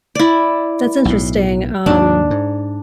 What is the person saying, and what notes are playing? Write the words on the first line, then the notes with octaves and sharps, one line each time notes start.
That's interesting, um,
E4 D5
B1 A2
D#2 G#2 D#3 D4
G#2